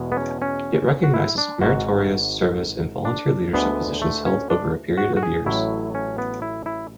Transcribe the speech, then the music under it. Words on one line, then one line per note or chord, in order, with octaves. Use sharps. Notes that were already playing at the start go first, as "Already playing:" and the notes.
It recognizes meritorious service in volunteer leadership positions held over a period of years.
Already playing: E2 B2 G#3
B3
C#4
C#4
F#4
E4
D4
G#1 G#2 G#3 F#4
D4
D2 D3 G#3 B3
A3
C#4
D4
F#4
F#4
G#4
A1 A2 F#3 E4
C#4
B3
E4
E4